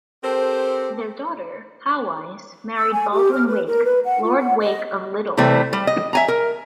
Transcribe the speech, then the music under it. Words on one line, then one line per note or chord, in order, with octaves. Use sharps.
Their daughter, Hawise, married Baldwin Wake, Lord Wake of Liddell.
C4 G4 A4 A#4 C5
E6
G#5
G4
F6
B4
A#4
B4
F#5
F4
F#5
D#5
C3 E3 G3 A3 C4
G3
D#5
E5 G#5 A#5
A#4